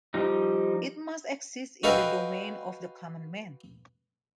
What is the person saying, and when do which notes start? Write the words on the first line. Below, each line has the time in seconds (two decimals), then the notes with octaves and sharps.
It must exist in the domain of the common man.
0.14 F3 G3 D#4
1.83 F#4 A4 B4 D#5 F5 G5